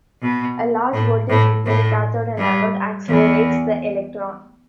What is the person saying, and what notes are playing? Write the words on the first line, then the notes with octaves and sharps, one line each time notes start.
A large voltage between the cathode and anode accelerates the electrons.
B2
A2
A2
A2
G2
E2